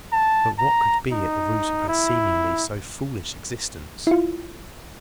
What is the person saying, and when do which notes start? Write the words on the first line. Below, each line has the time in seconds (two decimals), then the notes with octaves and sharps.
But what could be at the root of her seemingly so foolish existence?
0.12 A5
0.58 A#5
1.12 D#4
1.89 E4
4.07 E4 F4